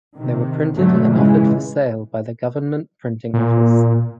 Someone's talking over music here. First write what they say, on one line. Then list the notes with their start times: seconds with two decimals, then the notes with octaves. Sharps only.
They were printed and offered for sale by the Government Printing Office.
0.16 C3 D#3
0.73 G#1 B2 D3 F#3 A3
1.12 A#2 C#3 E3 G#3
3.34 A#2